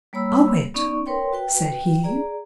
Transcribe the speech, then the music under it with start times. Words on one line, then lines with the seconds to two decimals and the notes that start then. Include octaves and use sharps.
"Owe it?" said he.
0.13 G3 A#3 C#5 B5 E6
0.74 B3 C#4 D#4 D5 C#6
1.06 A#4 B4 C#5 G5 C6
1.32 F#4 B4 G5
2.03 G#4 D5 A#5